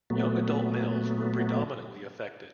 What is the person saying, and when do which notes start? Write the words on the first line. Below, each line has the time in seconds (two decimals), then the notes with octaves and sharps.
Young adult males were predominantly affected.
0.10 A#2 F#3 A3 B3